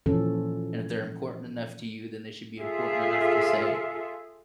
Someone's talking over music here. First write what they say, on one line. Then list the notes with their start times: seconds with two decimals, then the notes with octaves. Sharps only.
And, if they're important enough to you, then they should be important enough to say."
0.06 A#2 E3 F3 C#4 A4
2.60 F4 G#4 A4 E5 F5